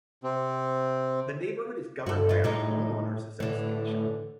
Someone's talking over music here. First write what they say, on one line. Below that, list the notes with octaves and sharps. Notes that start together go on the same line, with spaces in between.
The neighborhood is governed by a homeowners association.
C3 C4
G2 F#4 A4
E3 F4
A2 G3 G#3 D#4
A2 D3 E3